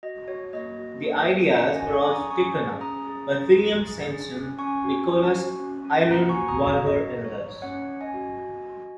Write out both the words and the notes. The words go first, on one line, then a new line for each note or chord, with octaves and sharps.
The ideas were also taken up by William Swainson, Nicholas Aylward Vigors, and others.
F#4 D#5
F#4 C#5
A#3 D#5
F#4
A#3
F#4
C#4 C#5 F#5
D#5 G#5
G#4
G#5 C#6
G#4
A#5 D#6
C#4 G#5 C#6
G#4
C#4 A#5 D#6
G#4
G#4
G#4
G#4
G#4
C#4
C#4 G#5 C#6
F#4
C#4
F#4
C#4
C#4
A#3 F#5 A#5
G#5 C#6
F#4
A#5 D#6
F#4
C#5
D#4 D#5
D#4
C#5
D#4
C#4 C#5 F#5
C#4
D#5 G#5
F#4
F#4
F#4